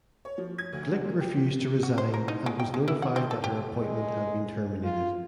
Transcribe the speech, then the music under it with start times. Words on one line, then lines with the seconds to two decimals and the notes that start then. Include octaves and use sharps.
Glick refused to resign and was notified that her appointment had been terminated.
0.25 C#5
0.38 F3
0.58 G#6
0.73 D2
0.91 F#3
1.04 A#2
1.21 G4
1.36 G4
1.83 F#4
1.98 C5
2.14 A#4
2.28 D#4
2.46 G#3
2.60 G5
2.74 G#3
2.88 E4
3.02 F#5
3.16 C4
3.31 A4
3.44 G4
3.81 G#3
4.84 F4